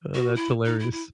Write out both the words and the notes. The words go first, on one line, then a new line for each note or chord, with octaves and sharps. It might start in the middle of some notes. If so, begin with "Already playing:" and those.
Oh, that's hilarious.
F#4
E4
D#4
E4
E4